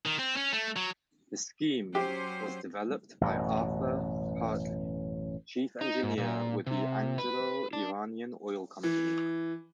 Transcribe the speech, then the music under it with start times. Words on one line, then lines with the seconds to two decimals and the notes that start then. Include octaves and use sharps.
The scheme was developed by Arthur Hartley, chief engineer with the Anglo-Iranian Oil Company.
0.06 D#3
0.19 C4
0.36 C#4
0.53 A3
0.76 F#3
1.95 F#3 C#4 G4 C5
3.21 A1 F#2 B2
5.81 D#4
6.03 G#2
6.18 A#2
6.67 C3
7.18 B4
7.73 D4
8.83 E3